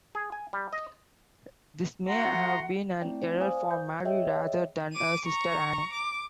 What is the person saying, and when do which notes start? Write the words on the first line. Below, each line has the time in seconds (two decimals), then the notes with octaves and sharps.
This may have been an error for Mary, rather than her sister Anne.
0.15 G#4
0.32 G#5
0.53 G3
0.73 D#5
2.07 A3 F#4 F#5 A#5 C6
3.01 A3 C4 E4 D5 G5
3.40 C5 D5 F5 G#5 D#6
3.71 G6
4.05 G#4 C#5 D#5 E5 G5
4.93 D6 D#7
5.26 A#5 C#6
5.93 D6